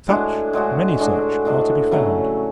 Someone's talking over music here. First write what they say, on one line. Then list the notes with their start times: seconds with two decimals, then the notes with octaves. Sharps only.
Such, many such, are to be found.
0.08 A2 G#3 D4 F#4
0.53 A2 G#3 D4 F#4
1.00 A2 G#3 D4 F#4
1.45 A2 G#3 D4 F#4
1.91 C#3 F#3 A3